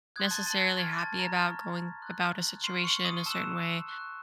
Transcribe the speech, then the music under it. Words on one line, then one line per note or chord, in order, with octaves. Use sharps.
necessarily happy about going about a situation a certain way,
C6 D#6 F#6 G#6
A5 A6
A5 A6
G#6
A6
C#6 F6 G#6
A5 A6
A#5 A#6
C#6 F6
C6 D#6 F#6
C6 C#6 F6 C7
C#6 C#7
D#6 D#7
A5 C#6 E6 F#6 E7
C#6 F#6